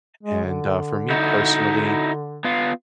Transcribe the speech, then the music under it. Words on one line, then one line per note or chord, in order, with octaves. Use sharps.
and, uh, for me personally,
G#3
D3
D#4 E4 F#4
B3 F4